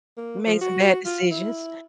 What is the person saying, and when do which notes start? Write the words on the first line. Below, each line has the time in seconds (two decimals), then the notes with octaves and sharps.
Made some bad decisions.
0.17 A#3
0.47 F3
0.61 F#4
1.05 F4
1.31 E4